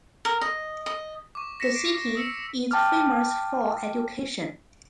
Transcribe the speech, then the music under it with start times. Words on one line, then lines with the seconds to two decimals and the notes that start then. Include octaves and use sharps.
The city is famous for education.
0.25 A#4
0.41 D#5
0.86 D#5
1.35 C#6 D6
1.60 A#6 B6 C#7 E7
1.75 B6 C7 D7
1.95 D6
2.15 D#6 E6 C#7
2.26 C7 C#7
2.71 G5 A5 D6 F6